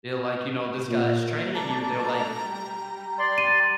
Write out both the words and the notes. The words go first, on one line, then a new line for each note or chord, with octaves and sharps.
they're like, "You know, this guy's training you." They're like,
A#2
A3 D4 A4 A#5
G3
D5 C6
D#7